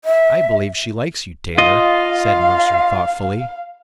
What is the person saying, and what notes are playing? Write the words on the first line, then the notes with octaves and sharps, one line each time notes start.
"I believe she likes you, Taylor," said Mercer thoughtfully.
E5
F4 D#5 F5